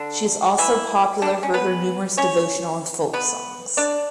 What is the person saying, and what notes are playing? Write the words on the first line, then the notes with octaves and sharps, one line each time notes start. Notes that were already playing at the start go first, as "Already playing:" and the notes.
She is also popular for her numerous devotional and folk songs.
Already playing: D3 D4
E3 E4
D3 D4
C#4
B3 B4
C#4 C#5
B3 B4
D4 D5